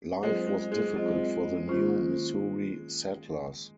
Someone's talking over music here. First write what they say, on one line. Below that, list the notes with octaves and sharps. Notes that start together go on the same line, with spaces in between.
Life was difficult for the new Missouri settlers.
F#3 G#3 C4 F4 C5 D#5
G#3
G#3
F#3 C4 F4 C5 D#5
D#3 A#3 C#4 F4 C5